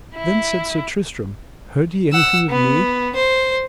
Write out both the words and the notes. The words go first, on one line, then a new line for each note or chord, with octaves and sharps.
Then said Sir Tristram: Heard ye anything of me?
E4
F#5 E6
B3
C5